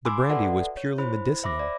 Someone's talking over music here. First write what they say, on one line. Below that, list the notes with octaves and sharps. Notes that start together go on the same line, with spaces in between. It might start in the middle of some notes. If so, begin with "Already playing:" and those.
The brandy was purely medicinal.
G#5 B5 C6 D6 E6
F#4 A4 B4 D5 E5 F#5
C#5
E4 C5 B5
C5 E5 B5 D6 A#6
D5